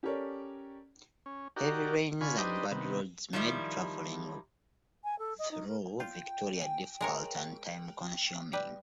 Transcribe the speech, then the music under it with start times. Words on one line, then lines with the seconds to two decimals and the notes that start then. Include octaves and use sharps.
Heavy rains and bad roads made travelling through Victoria difficult and time-consuming.
0.03 C#4 G4 A4 A#4 C#5 D5
1.26 C#4
1.56 D#4 F#4 G4 A#4 D5
2.21 D3 F4 G#5 B5 C#6
2.38 D4 D#4 G4 B4 C5 D#5
2.71 C3 D#3 B3
3.33 D#3 F3 G3 E4
5.04 G#5
5.19 A4
5.39 D#5
5.51 D#4
5.68 A#4
6.00 F4 G5
6.61 G#5
7.01 G#3 A#4 C#5
8.53 G3 B4